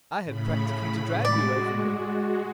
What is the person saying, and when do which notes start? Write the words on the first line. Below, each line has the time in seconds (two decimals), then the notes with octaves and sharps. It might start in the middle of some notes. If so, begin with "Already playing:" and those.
I had practically to drag you away from him.
0.24 A2 C#3 B5
1.25 G#3 F#4 D5